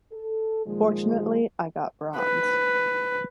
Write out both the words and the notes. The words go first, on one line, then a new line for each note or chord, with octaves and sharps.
Fortunately I got bronze...
A4
A#2 D#3 F3 G#3
B4